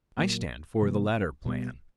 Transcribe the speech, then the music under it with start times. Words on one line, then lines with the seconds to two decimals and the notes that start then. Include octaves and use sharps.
I stand for the latter plan.
0.19 A#2 F#3 A#3
0.82 C3 F3 G#3 B3
1.46 B2 G3 B3